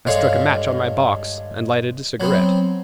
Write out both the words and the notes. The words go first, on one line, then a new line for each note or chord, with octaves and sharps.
I struck a match on my box and lighted a cigarette.
G2 D3 G#3 C#5 F5
F#3 B3 C4